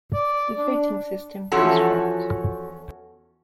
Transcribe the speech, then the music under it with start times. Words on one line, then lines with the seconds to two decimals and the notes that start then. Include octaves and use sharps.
The voting system was scrapped.
0.13 D5
0.58 D4
1.52 E2 F3 C#4 F#4 A4